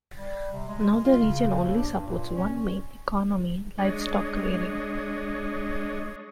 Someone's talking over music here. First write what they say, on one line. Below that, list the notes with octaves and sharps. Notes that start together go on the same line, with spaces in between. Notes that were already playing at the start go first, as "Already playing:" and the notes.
Now the region only supports one main economy, livestock rearing.
G3
C3
G#3
G#3
F4
C#3
D#2
D4
G2
A#2
C#4
G#3 D4 C#5 D#5